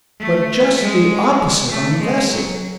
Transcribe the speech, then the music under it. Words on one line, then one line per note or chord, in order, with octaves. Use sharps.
But just the opposite on Vesey.
A3
G#3
A3
G#3
F#3